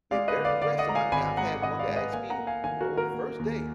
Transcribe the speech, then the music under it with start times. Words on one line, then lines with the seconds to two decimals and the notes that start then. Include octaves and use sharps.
They're very aggressive, I mean, I've had one that asked me o on the first date,
0.11 G#3 D5 F5
0.28 B4 D#5
0.37 D3
0.45 D5 F5
0.62 D3 D5 F5
0.78 D#5 F#5
0.87 G#3 A#5
0.95 F5 G#5
1.12 G#1 G#5 B5
1.37 G#3 F#5 A#5
1.62 G#1 D#5 F#5
1.79 D5 F5
1.88 G#3
1.96 B4 D#5
2.13 A#3 F5 G#5
2.30 F#5 A#5
2.38 A#3
2.47 F5 G#5
2.64 D#3 F5 G#5
2.81 F#4 A#4
2.89 D#3
2.97 F#4 A#4
3.14 A#3
3.39 D#2